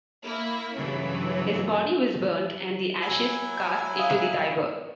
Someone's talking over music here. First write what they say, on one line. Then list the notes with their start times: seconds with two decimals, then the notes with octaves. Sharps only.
His body was burnt and the ashes cast into the Tiber.
0.23 A#3 E4
0.76 G2 C#3 E3 F#3 A3 C#4
3.02 F#3 E4 G#5
3.99 E5 F5 D#6